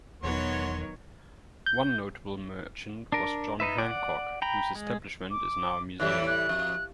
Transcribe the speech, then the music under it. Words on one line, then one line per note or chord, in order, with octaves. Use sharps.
One notable merchant was John Hancock, whose establishment is now a museum.
E1 D#3 E3 F#3 B3 F#4 C#5 C6
G6
D4 A#4
D#4 B4 E5
D5 F#5
G5 A#5 B5
G#3
D6
A2 E3 G3 F#6
F#6
F2